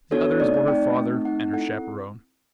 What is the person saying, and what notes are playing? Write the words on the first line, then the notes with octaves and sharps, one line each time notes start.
The others were her father and her chaperone.
B3 D4 F#4 A4 C#5
A3 C4 D#4 D5
D5
A3 C4 D#4 G5
A3 C4 D#4
A3 C4 D#4 F#5
C4 E4 A4 F#5